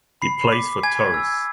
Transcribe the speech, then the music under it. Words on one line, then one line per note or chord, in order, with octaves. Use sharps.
He plays for Turris.
B5 C7
D6 B6
G#5 G#6
E6